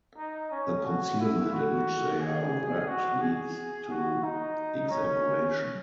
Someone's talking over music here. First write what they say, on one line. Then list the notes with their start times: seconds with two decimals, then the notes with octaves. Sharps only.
The concealment in which they are wrapped leads to exaggeration.
0.17 D#4
0.51 C#4
0.85 F#4
1.19 E4
1.52 F#4
2.20 G#4
2.88 F#4
3.21 G#4
3.90 F#4
4.23 D#4
4.90 C#4